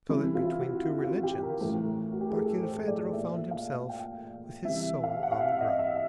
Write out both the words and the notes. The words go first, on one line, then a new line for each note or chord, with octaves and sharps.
So that between two religions, Barkilphedro found himself with his soul on the ground.
C3 E3 E4
F4
F#4
F#4
F4
G4
A#4
A2 E3
F#4
G4
G#4
A4
C5
D5
A#2 E5
F5
G5
C3 E3 E5
F5
F#5
F5
E5
D#5
E5